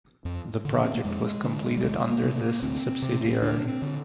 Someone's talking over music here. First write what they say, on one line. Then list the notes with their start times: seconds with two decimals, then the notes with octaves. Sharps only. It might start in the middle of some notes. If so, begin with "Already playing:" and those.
The project was completed under this subsidiary.
0.25 F2
0.65 D3
0.84 C4
0.95 A#3
1.04 F2 G#3
1.44 D3
1.77 G3
1.84 D2 G#3
2.10 A#3
2.24 C3
2.36 A#3
2.63 D2 C4
3.02 C3
3.25 A#3
3.33 C4
3.41 D2 D4
3.67 C4
3.82 D3